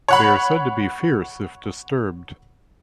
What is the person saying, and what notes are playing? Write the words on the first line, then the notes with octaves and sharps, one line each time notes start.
They are said to be fierce if disturbed.
C#5 F#5 B5